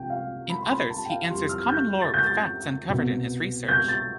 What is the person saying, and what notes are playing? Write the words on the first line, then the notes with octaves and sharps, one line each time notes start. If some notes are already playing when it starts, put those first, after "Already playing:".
In others, he answers common lore with facts uncovered in his research.
Already playing: C2 C3 F3 C4 G5
F5
B5
C6
B5
A5
G5
F5
F2 E3 G3 C6
F6
G6
A6
G6
A6
C2 B2 B3
G6
A6